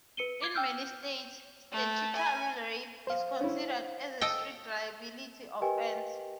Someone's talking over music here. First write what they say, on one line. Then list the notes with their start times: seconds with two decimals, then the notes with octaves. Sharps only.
In many states, statutory rape is considered a strict liability offense.
0.17 B4 C#7 D#7 G7
0.41 D6 G#6
0.55 G5 E6 F6 G6
1.72 A3
2.16 G#5
3.07 C5 F5
3.41 C#4 E4
4.21 A4 D#5 G5
5.61 G4 A#4 B4 D#5 G5 G#5